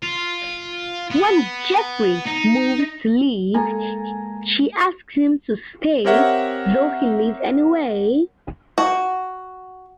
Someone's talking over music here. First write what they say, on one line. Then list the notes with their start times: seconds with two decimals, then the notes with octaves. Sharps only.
When Jeffrey moves to leave, she asks him to stay, though he leaves anyway.
0.03 F4
1.11 B3
2.27 D#4
3.54 G#3 A#3 A4 G#5 A#5
6.05 C4 G4 A#4 C#5 E5 F#5
8.78 F#4